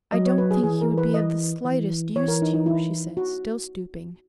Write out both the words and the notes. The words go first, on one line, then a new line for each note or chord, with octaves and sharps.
"I don't think he would be of the slightest use to you," she said, still stooping.
F#3 D#5
C#5
B4
G#4
E3 G#4
A#4
B4
D#5
E3
E3 C#5
A#4
D#4
D#4
E4
F#4